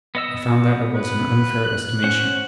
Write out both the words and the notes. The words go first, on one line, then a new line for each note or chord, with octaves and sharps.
I found that it was an unfair estimation.
B3 D#5 E6
B4
F#6
C#4 C5 F#5